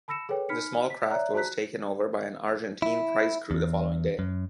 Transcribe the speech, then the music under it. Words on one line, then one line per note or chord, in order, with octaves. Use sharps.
The small craft was taken over by an Argentine prize crew the following day.
A5 B5 E6 A#6 C#7 E7
G#4 A4 B4 C#5 G5
D#4 B5 F6 B6 C#7
B6
C#5 D5 E5 A#5 F#6
F#4 A5 A#5 F#6 B6
E4
E2
F#2